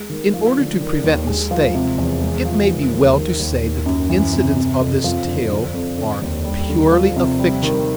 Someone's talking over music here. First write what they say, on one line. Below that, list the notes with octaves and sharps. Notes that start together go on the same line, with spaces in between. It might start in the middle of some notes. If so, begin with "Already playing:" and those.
In order to prevent mistake, it may be well to say that the incidents of this tale are purely a fiction.
Already playing: G#3
D#3
F3
D3
D#3
D#2
G#3
F3
C3
E2
G#3
F3
D#3
D#2
D#3
D#2
D#3
F#2
E3
C3
C3
F2
F3
D3
D3
F2
D3
D#2
G3
D3
F3
C3
G3
D#3